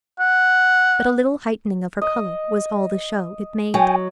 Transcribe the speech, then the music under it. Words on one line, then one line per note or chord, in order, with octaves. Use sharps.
But a little heightening of her color was all the show it made.
F#5
D#5
F#3 G5 G#5